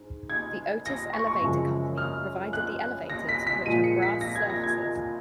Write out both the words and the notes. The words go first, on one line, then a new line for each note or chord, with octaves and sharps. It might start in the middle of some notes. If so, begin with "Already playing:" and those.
The Otis Elevator Company provided the elevators, which have brass surfaces.
Already playing: G#2
G#6
A#6
C#6
C#6
F#2 C#3 F3 G#3
F6
F#6
A#6
B6
B6
A#2 F3 G#3 D#7
C#7
B6
A#6
G#6
A#6
G#6